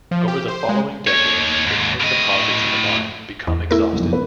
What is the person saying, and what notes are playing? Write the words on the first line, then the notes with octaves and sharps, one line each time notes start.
Over the following decades, the tin deposits in the mine become exhausted.
F3
G4
C5
G#3
D#2 C#5
D#2 G#2
A2 D#5
E2
A3 E4 A#4
F#1 B1 F2
C4 B4